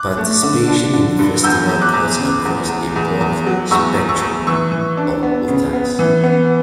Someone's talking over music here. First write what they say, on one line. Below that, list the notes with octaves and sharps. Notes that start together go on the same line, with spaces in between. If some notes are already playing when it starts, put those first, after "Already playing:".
Participation in the festival cuts across a broad spectrum of Utahns.
Already playing: D6 F#6
A3
D3
D4
D3
G2
E2 E6 G6
E2
D6 F#6
E2
C#3
E2
E2
E2
E2
F#3
E2 C#6 E6
E2
C#6 E6
E2
E3 C#6 E6
E3
D4
B3
C#3
B3
E3
B3